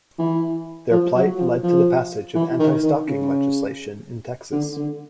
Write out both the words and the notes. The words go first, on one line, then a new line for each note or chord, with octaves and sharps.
Their plight led to the passage of anti-stalking legislation in Texas.
E3
F3
F#3
F3
F3
E3
D#3
D#3
C#3
D3
D3